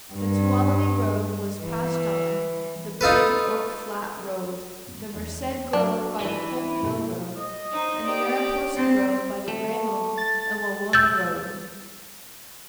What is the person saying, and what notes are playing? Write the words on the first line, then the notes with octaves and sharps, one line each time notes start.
The Tuolumne grove was passed on the Big Oak Flat road, the Merced grove by the Coulterville road and the Mariposa grove by the Raymond and Wawona road.
G2
E3
D#4 F4 A4 B4
E2 D#4
F#3 D4 A#4
E3 D#4 D5
B2 A#3 G4
D#5
D#4 C5
G4 D5
C4
A3
A6
E6 G6 A6